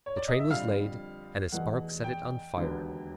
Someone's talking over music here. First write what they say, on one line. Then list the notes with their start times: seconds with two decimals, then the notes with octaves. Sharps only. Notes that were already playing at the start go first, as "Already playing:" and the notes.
The train was laid, and a spark set it on fire.
0.06 C#5
0.17 D5
0.28 D#5
0.39 E5
0.50 F2 D3 G3 F5
1.52 F1 E2 B2 F#5
2.04 G5
2.56 E1 D#2 D3 F#3 B3